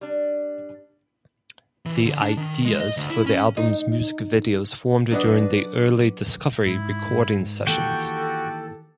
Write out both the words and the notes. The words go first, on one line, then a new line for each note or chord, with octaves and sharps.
The ideas for the album's music videos formed during the early "Discovery" recording sessions.
G3 D4
E3
D3
D4
D#3
G#3
D#5
D2
E4
C#4
D#4
F#3 D4 B4 D#5
G#2 E4
D#3 E3 A#3 F#4 G4 A4 G5